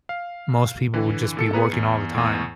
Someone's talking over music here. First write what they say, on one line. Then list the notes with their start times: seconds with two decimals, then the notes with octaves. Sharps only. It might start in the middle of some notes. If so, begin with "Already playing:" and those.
most people would just be working all the time.
0.09 F5
0.94 D3 E3
1.37 A#2 A4 C#7
1.53 B3 G#4 B4 A#5
1.73 E2
2.15 E2 A2